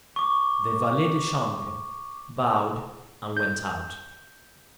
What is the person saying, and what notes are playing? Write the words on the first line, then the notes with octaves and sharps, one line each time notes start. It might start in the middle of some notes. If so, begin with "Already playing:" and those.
The valet de chambre bowed and went out.
C#6 D6
G6